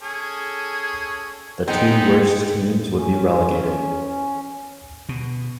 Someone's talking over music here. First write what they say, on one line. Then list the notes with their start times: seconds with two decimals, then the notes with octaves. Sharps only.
The two worst teams would be relegated.
0.01 C#4 G#4 A4
1.68 G#3 B3 C4 D#4 G#4 G5
2.98 C#4
5.09 B2